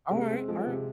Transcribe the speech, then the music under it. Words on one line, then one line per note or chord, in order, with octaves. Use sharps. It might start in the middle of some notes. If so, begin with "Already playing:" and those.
Alright, alright.
C3 G#3
C4
F3 G#3
C3